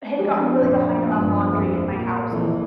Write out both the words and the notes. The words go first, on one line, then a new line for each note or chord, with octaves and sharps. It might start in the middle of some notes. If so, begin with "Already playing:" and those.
had gotten really behind on laundry in my house
F3 G#3 D4 G4 G#4
F#2 A#2 C4
G2 B3 F#6
A#1 F2
A#2
F2 A#2 E3